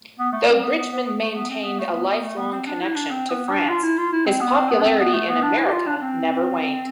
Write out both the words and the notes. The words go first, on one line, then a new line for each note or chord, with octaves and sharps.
Though Bridgman maintained a lifelong connection to France, his popularity in America never waned.
B3
A3
C4
B3
B3
B3
B3
A3
B3
C4
B3
A3
B3
B3
A3
B3
C4
D4
E4
D4
C4
B3
D4
F4
E4
F4
E4
C4
B3
C4
B3
D4
C4
B3
A3
B3
D4
E4
G4
F4
D4
D4
C4